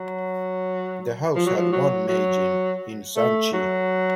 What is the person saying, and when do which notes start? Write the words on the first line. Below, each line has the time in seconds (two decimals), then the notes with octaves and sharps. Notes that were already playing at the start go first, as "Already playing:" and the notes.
The house had one Meijin, in Sanchi.
Already playing: F#3
1.35 F3
1.46 F#3
1.57 F3
1.72 F#3
2.08 F#3
3.17 A3
3.53 F#3